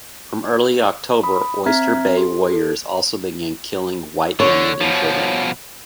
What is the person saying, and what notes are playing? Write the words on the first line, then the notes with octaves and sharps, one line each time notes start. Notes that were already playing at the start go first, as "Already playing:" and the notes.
From early October Oyster Bay warriors also began killing white women and children.
B5 D#6
C4 E5 A#5 F6 G#6 B6
G4 A4 C6
A4
D3 C#5
B2 F3